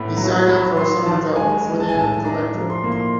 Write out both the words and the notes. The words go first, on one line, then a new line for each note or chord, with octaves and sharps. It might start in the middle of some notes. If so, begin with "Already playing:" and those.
He signed up for a summer job before the end of the lecture.
Already playing: A2 B3 B5
F#3 A#5
F#3 B5
F#3 C6
D#3 A5
G#3 G#5
G#3
A5
G#5
A2 A5
A5
D4 A#5
F3
C6
A#3
C6